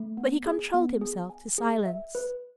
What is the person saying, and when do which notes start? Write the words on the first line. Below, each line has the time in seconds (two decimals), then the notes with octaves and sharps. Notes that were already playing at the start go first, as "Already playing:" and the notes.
But he controlled himself to silence.
Already playing: A3
0.17 B3
0.46 G#4
0.74 B3
1.01 G#4
1.30 G#5
1.58 G#4
1.86 E5
2.15 B4